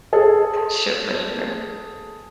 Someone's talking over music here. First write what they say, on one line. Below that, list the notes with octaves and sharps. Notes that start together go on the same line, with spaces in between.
Sh for sure.
G#4 A4